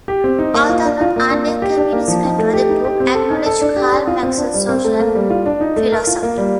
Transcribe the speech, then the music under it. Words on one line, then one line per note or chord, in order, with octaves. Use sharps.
Although not under Communist control, the group acknowledged Karl Marx's social philosophy.
G4
C4
D#4
A#3
F4
D4
F4
A#3
D4
A#3
G4
D4
A#3
F3
D#4
A3
G4
D#4
G4
C4
A4
D#4
A4
D4
G4
D4
F4
C4
D4
G3
C4
A3
A#3
G3
F4
D4
D#4
A3
A#4
F4
A#3
G3